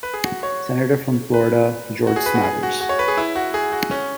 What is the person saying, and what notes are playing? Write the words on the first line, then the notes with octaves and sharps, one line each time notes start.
Senator from Florida, George Smathers.
B4
G#4
F#4
C#5
B4
F#4
G#4
B4
F#4
G#4
F#4
F#4
C#5
B4
G#4
E4
F#4
G#4
F#4
C#4